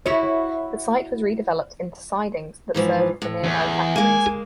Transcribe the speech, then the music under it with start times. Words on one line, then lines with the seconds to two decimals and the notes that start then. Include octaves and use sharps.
The site was redeveloped into sidings that served the nearby factories.
0.06 E4 F#4 C#5
2.74 G#2 E3 F3
3.22 A2
3.44 E2
3.96 G#3 A#3 G#5